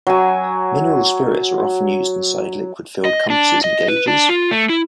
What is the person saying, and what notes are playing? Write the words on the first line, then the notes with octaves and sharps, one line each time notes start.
Mineral spirits are often used inside liquid-filled compasses and gauges.
F#3 G#5
D#5
D4
D#5
B4
D4
F4
A3
E4